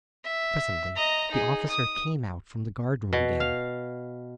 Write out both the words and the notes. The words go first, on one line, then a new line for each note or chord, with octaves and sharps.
Presently the officer came out from the guard-room again.
E5
D#5 A#5
D#4 G#4
D#6
B2
F5